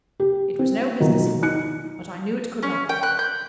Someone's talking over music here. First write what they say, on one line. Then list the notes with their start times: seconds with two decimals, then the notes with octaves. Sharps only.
It was no business of mine; but I knew it could not be.
0.20 G4
0.59 C4
1.00 B2 D#3 F3 F#3
1.42 D#4 F#6 C#7
2.63 C#4
2.89 G5
3.03 F#6
3.19 G6